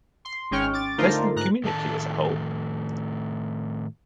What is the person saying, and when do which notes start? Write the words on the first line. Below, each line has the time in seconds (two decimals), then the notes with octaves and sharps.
Pleasant community as a whole.
0.25 C6
0.51 G#1 G#3 C#4 G5 C#6 F6
0.73 D6 A6
0.98 D3 A3 D#4 F4 A#4 C5
1.36 G#2 A#5 F#6
1.64 A2 D#3 A3 D5 A5